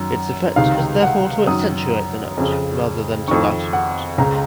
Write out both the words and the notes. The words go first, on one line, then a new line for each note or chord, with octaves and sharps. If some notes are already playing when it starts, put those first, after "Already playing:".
Its effect is therefore to accentuate the note rather than to lighten it.
Already playing: F#2 D#3
C#2 C3 D#3 F5
F#5
F#2 D#3 D#6
F2 C#3
F2 D#3 C#6
F#5
C#2 C#3 A#5